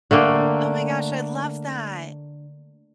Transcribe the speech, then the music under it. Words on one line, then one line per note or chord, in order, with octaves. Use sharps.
Oh my gosh, I love that.
D3 A3 A#3 G5